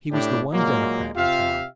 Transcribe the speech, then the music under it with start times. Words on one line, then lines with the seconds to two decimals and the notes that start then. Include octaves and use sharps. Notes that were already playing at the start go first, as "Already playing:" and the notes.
He was the one democrat in town.
0.11 A2 D4 G4
0.53 A#2 F#3 G#3 A#3
1.16 C3 F4 G4 E5 F5